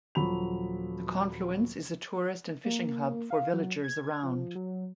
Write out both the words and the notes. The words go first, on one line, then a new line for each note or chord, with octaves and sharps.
The confluence is a tourist and fishing hub for villagers around.
D#1 F3 F#3 B5 F7
A#3
F5
F#3
G#6
F3
F#3